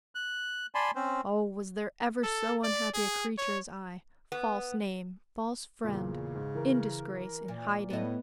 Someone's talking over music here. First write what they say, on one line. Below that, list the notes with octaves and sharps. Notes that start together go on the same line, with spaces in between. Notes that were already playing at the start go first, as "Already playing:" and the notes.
Oh, was there ever so unhappy a creature as I? False name, false friend, in disgrace, in hiding!
F#6
D5 G#5 A5 B5 C6
C4 C#4 C5
A4
D5
G#4
C#5
B3
E2 A#2 C#3
G#2
E3 A#4
A#2
A2 A3 B3 D#5